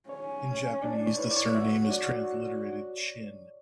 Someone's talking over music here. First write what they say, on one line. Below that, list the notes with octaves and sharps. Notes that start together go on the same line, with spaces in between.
In Japanese, the surname is transliterated Chin.
C#4 C#5
D4 D5
D5
C#5
E4 B4
D5
C#5
F#4 E5
C#5
D5